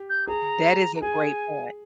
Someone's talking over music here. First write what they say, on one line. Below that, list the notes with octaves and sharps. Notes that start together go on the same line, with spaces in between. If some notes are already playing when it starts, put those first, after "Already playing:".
That is a great point.
Already playing: G4
G6
G#4 A#5
A#5
G#4 G#5